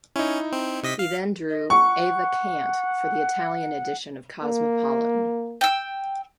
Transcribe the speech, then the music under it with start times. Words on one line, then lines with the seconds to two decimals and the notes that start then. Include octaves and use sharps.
He then drew "Eva Kant" for the Italian edition of "Cosmopolitan".
0.16 C#4 D#4 E4
0.52 C4
0.83 C3 D#5 B6
0.99 F5
1.49 D#5
1.70 F#5 C#6
4.44 A#3
5.61 G5 E6